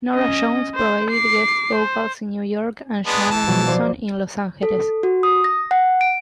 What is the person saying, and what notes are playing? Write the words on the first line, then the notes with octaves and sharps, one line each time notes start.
Norah Jones provided guest vocals in New York and Joanna Newsom in Los Angeles.
C#4 D#5
C5
D6 C7
C5
G#3 B3 D4
E3 A5
B2 F3 F#3
F3 C5 D5
A4
F#4
D#6
A#6
F#5
D7